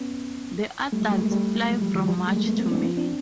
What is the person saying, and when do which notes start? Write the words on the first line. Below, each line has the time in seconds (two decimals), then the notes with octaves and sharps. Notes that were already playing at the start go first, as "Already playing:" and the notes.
The adults fly from March to May.
Already playing: B3 C#4
0.92 G3 A3
1.02 F#3 G#3
1.11 G3 A3
1.22 G#3 A#3
1.30 G3 A3
1.69 F#3 G#3
1.82 F3 G3
1.94 D#3 F3
2.08 F3 G3
2.17 F#3 G#3
2.27 G3 A3
2.36 G#3 A#3
2.46 A3 B3
2.59 A#3 C4
2.71 C4 D4
2.84 B3 C#4
2.97 C4 D4